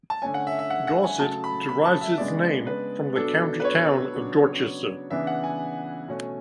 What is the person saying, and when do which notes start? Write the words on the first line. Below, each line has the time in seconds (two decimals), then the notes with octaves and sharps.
Dorset derives its name from the county town of Dorchester.
0.10 A5
0.22 D3 A3 C#4 G#5
0.34 F#5
0.47 E5
0.59 E5
0.70 F#5
0.87 F#5
1.04 G#5
1.20 C#3 F#3 A3 A5
1.44 B5
1.69 B5
1.85 A5
2.01 E5
2.18 C#3 G#3 B3 D4 D5
2.67 B4
3.15 B2 F#3 B3 D4 A4
3.60 B4
3.64 C#5
4.13 C#3 F#3 B3 D4
5.10 C#3 E3 B3 D4 E5
5.27 F#5
5.44 G#5
6.08 B2 A3 C#4